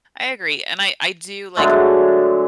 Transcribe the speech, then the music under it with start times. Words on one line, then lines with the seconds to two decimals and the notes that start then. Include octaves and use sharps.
I agree, and I I do, like
1.57 D3 F#3 G#3 A3